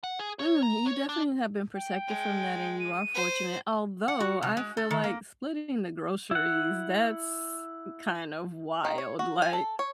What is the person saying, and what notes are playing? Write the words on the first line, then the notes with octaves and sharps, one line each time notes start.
Mm. You definitely have been protected from that, and you are fortunate although I feel like splitting the groceries that's kind of wild, like,
F#5
G#4
C#5
A#5
C#5
D4
G5
G#3
D#7
C5
F#5
F#4
C3
G#3
A4
D#3
A#3
E4 F#5
D#3
C#5
F#4
G#5
A4
C#5